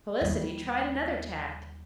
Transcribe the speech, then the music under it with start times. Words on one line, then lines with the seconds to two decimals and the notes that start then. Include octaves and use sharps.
Felicity tried another tack.
0.21 D#2 G3